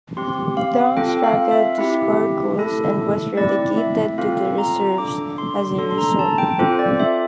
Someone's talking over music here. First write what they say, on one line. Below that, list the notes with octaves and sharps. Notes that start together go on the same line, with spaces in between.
Dong struggled to score goals and was relegated to the reserves as a result.
C4 G4 C6
F5
C4 F4 A4 G5
F5
E5
C4 E4 G4
A3 E4 A4
A3 C4 E4 D5
E5
C4 F4 A4 F5
A#5
D4 A4 D6
C6
D4 A4 C6
C6
A#5
A5
G5
C4 F4 A4 C5
D5
E5